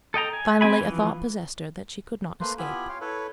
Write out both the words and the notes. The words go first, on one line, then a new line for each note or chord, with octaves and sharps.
Finally a thought possessed her that she could not escape.
A4 D#5 G5 A#5
G#5
C4 G4 G#5 B5
E3 F3
A3 A#3 B4 C5 C6
B3 E4 F4 G4 G#5 B5
C#5 F5 G5 C6
E4 A4 B4 C#5